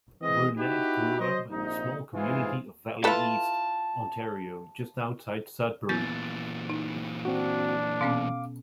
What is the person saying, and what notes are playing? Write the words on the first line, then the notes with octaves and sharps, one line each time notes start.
Brunette grew up in the small community of Valley East, Ontario just outside Sudbury.
E3 G#3 C4 D#5
D#4 E4 F#4 G4 B4
F#3 C5 D#5
A#1 C3 D#4
G#2 C3 E3 F4 G#4
E4 F4 A4 B4 A5
A#2 E3 B3 E4 G6 A6
D#4
C4 D4 F#4
B2 B3 C#4 F5 D6